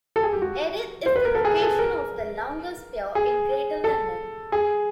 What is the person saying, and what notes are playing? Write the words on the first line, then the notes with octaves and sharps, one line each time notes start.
Erith is the location of the longest pier in Greater London.
A4
G#4
G4
F#4
C5
B4
A#4
A4
G#4
A4
A#4
G#4
A4
G#4